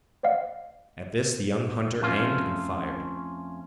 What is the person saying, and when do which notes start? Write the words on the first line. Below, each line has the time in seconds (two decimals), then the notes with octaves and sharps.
At this the young hunter aimed and fired.
0.23 C5 D5 D#5 F5 F#5
2.01 F2 A3 C#4 F4